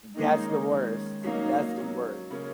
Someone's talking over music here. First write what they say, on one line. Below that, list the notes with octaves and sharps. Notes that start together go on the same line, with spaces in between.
That's the worst. That's the worst.
D#3 G#3 A#3 C#4 D#4
D#3 G#3 C#4
F#3 A#3 C#4 D#4
F#3 C#4
C#3 A#3 C#4